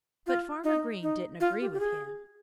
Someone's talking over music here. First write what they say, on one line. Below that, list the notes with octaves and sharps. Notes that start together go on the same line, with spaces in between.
But Farmer Green didn't agree with him.
F4
D#4
D#4
F4
G4
G4
G#4